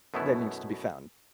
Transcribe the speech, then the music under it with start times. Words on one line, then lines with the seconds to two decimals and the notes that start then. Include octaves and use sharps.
that needs to be found.
0.14 F#2 B2 A3 B3 E4